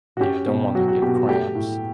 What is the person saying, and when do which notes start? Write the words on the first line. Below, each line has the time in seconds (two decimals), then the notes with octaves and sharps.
Yeah, don't wanna get cramps.
0.17 F#4
0.20 C#4 G4
0.47 B2
0.75 F#3 F#4
0.88 F#4
1.02 B2 G4
1.15 F#4
1.29 A3 G4
1.55 A2